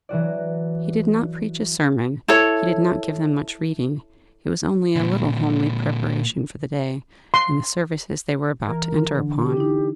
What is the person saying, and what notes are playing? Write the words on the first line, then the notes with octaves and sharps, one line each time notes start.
He did not preach a sermon; he did not give them much reading; it was only a little homely preparation for the day and the services they were about to enter upon.
E3 F#3 F#4 D5
E4 A4 C#5
A#2 D3
C6
E3 A#4
D3
G4
D#4 E4